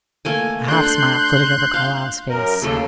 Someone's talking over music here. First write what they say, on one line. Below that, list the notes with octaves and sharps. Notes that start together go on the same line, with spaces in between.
A half smile flitted over Carlyle's face.
A3 A#3 G#5
D4 A4 C6 F#6 G6
F5
F#2 A#4
D#2 C#3 A3 A#3 A4